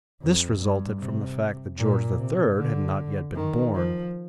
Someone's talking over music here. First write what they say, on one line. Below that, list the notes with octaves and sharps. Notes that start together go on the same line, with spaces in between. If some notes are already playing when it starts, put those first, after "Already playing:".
This resulted from the fact that George III. had not yet been born.
F2
G2
C3
A#2
C3
D3
D#3
F3